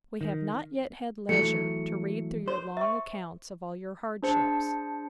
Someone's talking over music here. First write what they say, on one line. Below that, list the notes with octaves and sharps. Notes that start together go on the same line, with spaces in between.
We have not yet had leisure to read through your long accounts of all your hardships.
D#3
E3 F#3 A3 C#7
C5
E5 C#6
D4 G#4 C5 A5 C#7